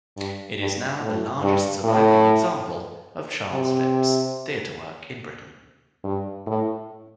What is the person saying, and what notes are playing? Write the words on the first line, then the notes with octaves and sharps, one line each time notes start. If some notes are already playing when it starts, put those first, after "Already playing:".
It is now the largest surviving example of Charles Phipp's theatre work in Britain.
G2
G2
A2
G2
A2
C3
G2
A2